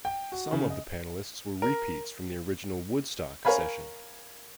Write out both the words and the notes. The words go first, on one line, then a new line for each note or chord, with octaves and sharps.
Some of the panelists were repeats from the original "Woodstock" session.
G5
F#4
C#3
D#5
A#4
A#4 C#5 F5 G#5 B5